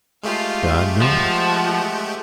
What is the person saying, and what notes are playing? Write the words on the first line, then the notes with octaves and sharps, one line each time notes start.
God knows!
G#3 A3 F4 G4 F5
F3 F#5